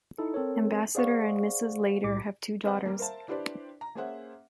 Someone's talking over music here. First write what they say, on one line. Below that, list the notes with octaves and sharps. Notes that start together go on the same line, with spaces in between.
Ambassador and Mrs. Lader have two daughters.
D#4 E4 A4
C4 A4 A#4 C#5
G#4 C5 D5 F5 F#5 C#6
B1 A2 G4 D6
C4 G#4 B4 C5 D#5 F#5
G3 A#3 C4
A#4 C5 E5 F5 A5
D4 E4 G4 B4 C5 D5
A#5
A#3 C#4 G#4 C5 E5 F#5